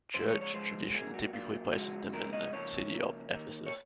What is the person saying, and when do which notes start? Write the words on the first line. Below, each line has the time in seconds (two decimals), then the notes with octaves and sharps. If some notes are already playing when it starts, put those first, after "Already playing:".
Church tradition typically places them in the city of Ephesus.
0.14 C#3 F3 G#3 C5
0.28 C#5
0.41 C#5
0.54 C#3 F3 G#3 C5
0.94 A#2 F#3 A#3 G#4
1.14 F#4
1.33 A#2 F#3 A#3 F4
1.73 C#3 F3 G#3 F#4
2.13 C#3 F3 G#3 A#4
2.33 D#5
2.53 C#3 F3 A#3 C#5
2.93 C#3 F3 A#3
3.32 D#3 A#3
3.66 C#5